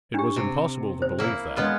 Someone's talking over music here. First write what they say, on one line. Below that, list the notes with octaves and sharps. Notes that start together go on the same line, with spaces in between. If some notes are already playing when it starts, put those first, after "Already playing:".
It was impossible to believe that.
D4 G4
C3
C5
A#3 E4
G#3 B3 F4